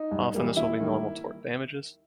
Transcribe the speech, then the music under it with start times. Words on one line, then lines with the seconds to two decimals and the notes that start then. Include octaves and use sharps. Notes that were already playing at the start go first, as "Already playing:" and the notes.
Often this will be normal tort damages.
Already playing: D#4
0.11 G2
0.34 E3 G3 A#3
0.57 D#2 E4
0.80 D#3 G3 A#3